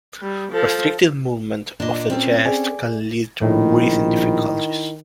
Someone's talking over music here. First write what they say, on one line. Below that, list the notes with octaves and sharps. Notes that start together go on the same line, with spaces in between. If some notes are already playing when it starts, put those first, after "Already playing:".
Restricted movement of the chest can lead to breathing difficulties.
G3
F3 A4
A#2 D4 D#5
C4 C#4 A4
G#4 D5 G#5
A#1 A2 D#3 E4